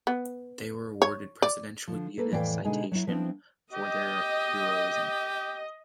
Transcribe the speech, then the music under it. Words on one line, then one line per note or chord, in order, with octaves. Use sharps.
They were awarded the Presidential Unit Citation for their heroism.
B3
C#5
D5
D3 F3
A#3 A4 B4
F2 A2 E3 D5 F5 G5
B2 D3 G#3 D#4 G#4 G#5
F#3 E4
F3 B3 C4 D4 E4
G4 D#5